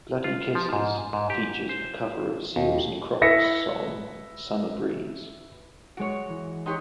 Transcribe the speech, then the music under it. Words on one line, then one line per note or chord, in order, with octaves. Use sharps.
"Bloody Kisses" features a cover of Seals and Crofts' song "Summer Breeze".
F4
F3
G#2
G#2
G4
C5
D#2
E4 B4 E5 A#6 B6 C#7
G#3 F#4 C#5 D7
E3
D#4 G4 C#5 F#5 C6 D#6